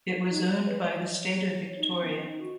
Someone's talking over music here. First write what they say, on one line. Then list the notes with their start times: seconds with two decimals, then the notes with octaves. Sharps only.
It was owned by the State of Victoria.
0.22 F4
0.30 D#4
0.42 C#5
0.55 C#5
0.67 B4
0.79 D#5
0.92 C#5
1.78 D#4
1.90 C#4
2.03 B3
2.15 C#4
2.27 D#4
2.39 F#4